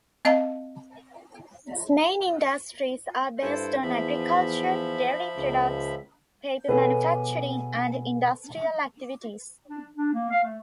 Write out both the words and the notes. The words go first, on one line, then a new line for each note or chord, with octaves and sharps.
Its main industries are based on agriculture, dairy products, paper manufacturing and industrial activities.
C4 D#5 F5 A5 A#5
G2 E4 A4 C5
E2 F3 E5 B5
C#2
B2 G#4 A4 B4 C#5
D4
D4
A#3
F5
A3